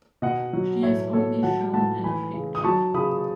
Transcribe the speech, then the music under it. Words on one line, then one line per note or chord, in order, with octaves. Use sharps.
She is only shown in a picture.
B2 D#5 F#5
F#3
A2 C#5 E5
A2 A4 C#5
F#3 F#5 A5
A2 F#5 A5
E3 G#5 B5
C#3
D#6
F#3 A5 C#6
C#3 B5 D#6